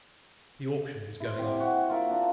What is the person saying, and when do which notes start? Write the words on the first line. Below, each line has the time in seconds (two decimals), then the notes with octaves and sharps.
The auction was going on.
1.20 E4 C5
1.39 C4 G4
1.60 F#4
1.89 F4 A#4 E5
2.11 D4